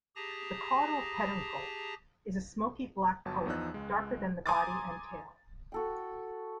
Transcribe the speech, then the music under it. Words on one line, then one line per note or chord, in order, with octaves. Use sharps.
The caudal peduncle is a smoky black color, darker than the body and tail.
G4 G#4 A5 A#5 D#6 A#6
G1 F#3 A5
E2 F3 D#4 E6 F#6
C#2 G#3
G#5 A#5 C6 D6 D#6 A6
F#4 A4 G5